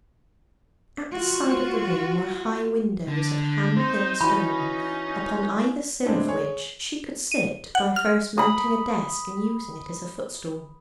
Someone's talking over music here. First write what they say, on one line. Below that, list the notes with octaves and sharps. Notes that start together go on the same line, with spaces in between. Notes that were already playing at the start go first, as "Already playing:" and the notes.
At the side of the room were high windows of Ham-hill stone, upon either sill of which she could sit by first mounting a desk and using it as a footstool.
F4 F#4
D3
C4 D#4 C5
E3 C#4 E4 F#4 B5
A2 G#3 C4 D4
G#4 C#5
D#7
F#5
F6
B5 D#6